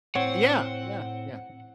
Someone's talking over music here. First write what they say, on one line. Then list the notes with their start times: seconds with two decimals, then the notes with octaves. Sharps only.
yeah! Yeah, yeah.
0.16 A2 C4 C#5 F#5